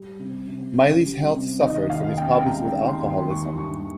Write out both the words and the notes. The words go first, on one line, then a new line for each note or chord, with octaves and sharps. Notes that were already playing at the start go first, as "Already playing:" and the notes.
Miley's health suffered from his problems with alcoholism.
Already playing: G3
C3
C3
C#4
G3
C3
D#3 D#5
D#2 F5
C#4 G5
G#3 A#5
D#3
C6
D#2
D#3 C#6
G2 C#6